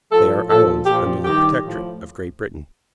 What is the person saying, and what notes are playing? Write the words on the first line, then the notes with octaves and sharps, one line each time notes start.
"They are islands under the Protectorate of Great Britain."
A2 F3 A4
A#2 F3 A4
A#2 F3 G4
G2 D#3 G4
A2 F3